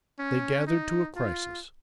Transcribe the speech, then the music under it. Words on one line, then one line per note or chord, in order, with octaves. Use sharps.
They gathered to a crisis.
C#4
D#4
F4